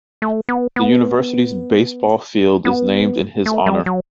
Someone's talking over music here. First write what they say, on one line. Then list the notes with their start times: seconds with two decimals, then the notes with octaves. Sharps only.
The University's baseball field is named in his honor.
0.22 A3
0.49 B3
0.76 B3
2.65 B3
3.46 A3
3.66 G3
3.86 F#3